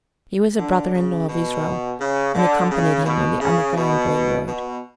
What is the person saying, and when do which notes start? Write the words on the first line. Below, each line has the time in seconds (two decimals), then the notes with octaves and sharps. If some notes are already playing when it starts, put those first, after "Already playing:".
He was a brother-in-law of Israel, and accompanied him on the Underground Rail Road.
0.58 D3
0.94 C#3
1.29 B2
2.00 C#3
2.35 D3
2.71 C#3
3.05 B2
3.41 C#3
3.76 B2
4.47 B2